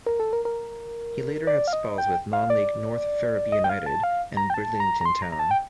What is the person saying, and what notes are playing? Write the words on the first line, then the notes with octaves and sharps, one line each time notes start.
He later had spells with non league North Ferriby United and Bridlington Town.
A#4
A4
A#4
A#4
D5
F5
D#5
G5
F5
D5
D#5
G5
F5
A5
F5
A#5
G5
A5
A#5
A#5
C6
A#5
A#5
A5
G5